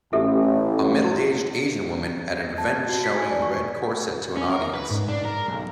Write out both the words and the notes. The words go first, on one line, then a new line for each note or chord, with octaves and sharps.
A middleaged asian woman at an event showing a red corset to an audience.
A1 G4 A4 E5
A#6
A5
G#6
F#4
B6
G#5
D5
C#6
C#4
A#4
B4
G#2
D4
A#4
B1